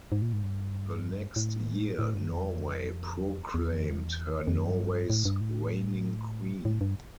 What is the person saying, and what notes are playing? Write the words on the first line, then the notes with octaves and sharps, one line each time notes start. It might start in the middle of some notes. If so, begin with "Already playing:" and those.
The next year Norway proclaimed her Norway's "reigning queen".
G#2
A#2
G#2
G2
A2
A2
G2
F2
E2
F2
E2
F2
F#2
G2
A2
G2
A2
A2
G2